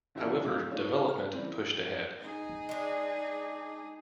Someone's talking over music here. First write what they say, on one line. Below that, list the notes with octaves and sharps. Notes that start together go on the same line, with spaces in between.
However, development pushed ahead.
B1 G2 C#3 E3 E5
D2 C3 F#3 G#3 F4 D6
D#3 A3 D4 F4 C#5
E4 F4 G#4 A#4
C5 F6
C#3 E3 G3 C4
D#4 G#4
G#3 D4